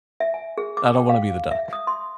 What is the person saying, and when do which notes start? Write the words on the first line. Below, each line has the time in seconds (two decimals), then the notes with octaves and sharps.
I don't wanna be the duck.
0.20 E5
0.34 G#5
0.58 G#4
0.77 D6
0.95 G5
1.09 F5
1.51 E5
1.73 D#6
1.87 C6